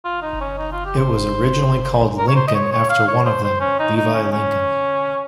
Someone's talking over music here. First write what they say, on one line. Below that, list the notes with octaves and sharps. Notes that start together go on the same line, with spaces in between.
It was originally called "Lincoln" after one of them, Levi Lincoln.
F4
D#4
C#4
D#4
F4
G4
C5
A#4
C#5
C5
D#5
C#5
C#5
F5
C#5
C5
C5
C#4
D#4
D#4
C#4
C#4